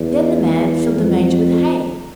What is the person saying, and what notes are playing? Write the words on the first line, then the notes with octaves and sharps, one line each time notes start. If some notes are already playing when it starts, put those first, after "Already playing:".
Then the man filled the manger with hay.
Already playing: E2
F2